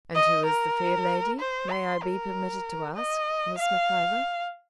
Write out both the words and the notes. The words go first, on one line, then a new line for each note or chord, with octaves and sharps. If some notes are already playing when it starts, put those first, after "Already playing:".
'And who is the fair lady, may I be permitted to ask, Miss Mac- Ivor?'
D#5
A#4
C5
C6
A#4
D#5
F5